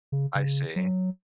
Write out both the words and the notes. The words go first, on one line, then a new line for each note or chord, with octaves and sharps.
I see.
C#3
C#3
F#3